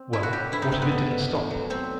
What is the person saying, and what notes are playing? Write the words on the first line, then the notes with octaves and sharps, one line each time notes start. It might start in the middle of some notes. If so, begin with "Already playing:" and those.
Well, what if it didn't stop?
Already playing: C4
G3 E4
F#4
A2 G4
G2 E4
D#4
G2 C4
B3
A3
G2
A2
F#3
A3 C4